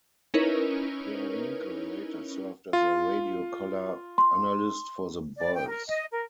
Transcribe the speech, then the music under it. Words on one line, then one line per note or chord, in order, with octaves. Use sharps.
Boerwinkle later served as a radio color analyst for the Bulls.
C#4 D#4 E4 A#4 B4 C#5
F4
C6
D5
G5
A#4
D#5
A#4